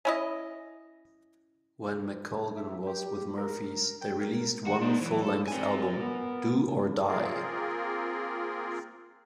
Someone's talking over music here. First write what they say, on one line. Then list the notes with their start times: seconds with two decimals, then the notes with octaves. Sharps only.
While McColgan was with the Murphys, they released one full-length album, "Do or Die".
0.05 C#4 E4 D#5
2.57 E5
2.87 G4
3.37 A#4
4.01 G5
4.21 A#4
4.67 D#3 F#4
4.82 D4 D#4 C5
5.01 E3 F#3
5.21 A4
5.48 C4 A#4 G#5
6.00 B3
7.08 A#3 C4 F4 G#4 A#4